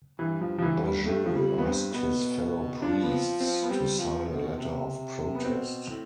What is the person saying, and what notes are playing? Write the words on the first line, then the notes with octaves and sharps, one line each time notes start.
Bajeux asked his fellow priests to sign a letter of protest.
G2 E3
F3
F3
E3
G3
G2 A3
F3
F2 G3
B3
G2 C4
B2 B3
F3 D4
B3
C4
C4
B3
G3 C4
F3
B2
C3
B3
B2 C4
A2